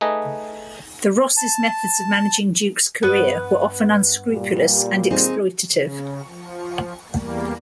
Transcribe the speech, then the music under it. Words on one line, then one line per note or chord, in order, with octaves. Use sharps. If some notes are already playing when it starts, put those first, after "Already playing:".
The Rosses' methods of managing Duke's career were often unscrupulous and exploitative.
A3 D#4 G#4 B4 D#5
A5
G2 B3 B4
A#2 G3
C4 D#4 G#4
C#3
F3
E2 G3 A#3